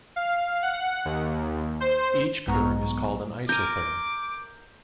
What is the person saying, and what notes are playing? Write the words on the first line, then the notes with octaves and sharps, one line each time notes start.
Each curve is called an isotherm.
F5
F#5
D#2
C5
B1 G#2 G#3 B3 A#5 C#6
A#4 G#5 D6 G6